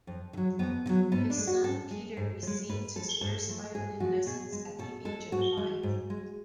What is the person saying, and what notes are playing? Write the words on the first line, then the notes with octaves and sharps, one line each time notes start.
His son Peter received his first violin lessons at the age of five.
F2
D3
F#3
F2 B3
D3
F#3
G#2 B3
D4
G#3
F#4
G#2 A4
G#3
G#2
F3
G#3
G#2 B4
F3 G#3 A4
G#2 A4
F3 A3
G#2 G#4
F3 A3 F#4
B2 G#4
G#3
B2 A4
G#3 A4
G#2 F#4
G#3
G#2
G#3